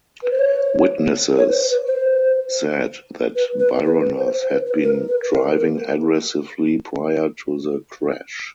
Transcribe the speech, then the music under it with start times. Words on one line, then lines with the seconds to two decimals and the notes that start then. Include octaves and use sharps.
Witnesses said that Bironas had been driving aggressively prior to the crash.
0.23 B4
0.31 C5
0.39 C#5
1.38 C#5
1.48 B4
1.54 C5
1.70 B4
1.87 C5
3.35 B4
3.60 B4
3.84 B4
4.18 C5
4.34 C5
4.50 B4
4.66 B4
4.83 A#4
5.08 B4
5.33 A#4
5.57 A#4